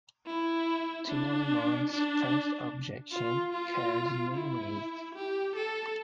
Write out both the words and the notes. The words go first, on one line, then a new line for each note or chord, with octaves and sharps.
Tillemont's first objection carries no weight.
E4
D4
D4
F4
F4
E4
G4
A4